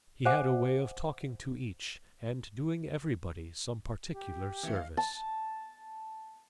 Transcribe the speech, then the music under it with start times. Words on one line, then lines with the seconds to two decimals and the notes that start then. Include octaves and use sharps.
He had a way of talking to each and doing everybody some particular service.
0.25 C5 E5 F#5 G#5 D6
4.13 G4
4.63 E3 A3
4.76 D5 D#5 F5
4.97 A5